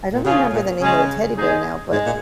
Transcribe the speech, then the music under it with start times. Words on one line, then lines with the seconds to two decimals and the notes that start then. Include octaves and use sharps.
I don't remember the name of the teddy bear now, but
0.13 A#2
0.24 C#3 F3 C#4 F4 G#4
0.52 A#2
0.80 C#3 G#3 C#4 G#4
1.37 G#3 D#4 G#4
1.91 G#2 G#3
2.06 A#2